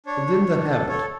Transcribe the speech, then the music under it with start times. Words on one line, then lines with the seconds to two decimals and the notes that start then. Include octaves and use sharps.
And then the habit!
0.06 D4 C#5
0.27 D4
0.48 D4
0.68 A4
0.89 A4 C#5